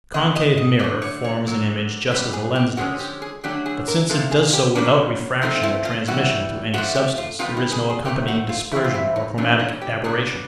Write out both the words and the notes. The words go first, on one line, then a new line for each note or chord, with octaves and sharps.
A concave mirror forms an image just as a lens does, but since it does so without refraction or transmission through any substance, there is no accompanying dispersion or chromatic aberration.
B2 G#3 D#5
D#5
D#5
D3 F#3 A3 D4 D5
C#5
C#5
D3 F#3 A#3
F#2 D#3 G3 B3 B4
G#4
G4
D3 F3 G#3 C#4 F#4
G4
G#4
D3 F#3 A3 D4 G4
G#4
A#4
C3 F3 A#3 A4
G#4
G4
C#3 F#3 A#3 C#4 D4
A#2 F3 A3 C4 D#4
E4
F4
G2 E3 G3 F#4
G#2 F3 A3 F#4
G4
F4
C3 D#3 G3 B3 F4
D#4
G#4
G#4
G2 D#3 F#3 A3 C4 G4
F#4
F4
C#3 E3 G3 C4 E4
F4
E4
D#4
G2 E3 A3 C#4 D4
D#4
G4
C#3 F#3 B3 D4 G#4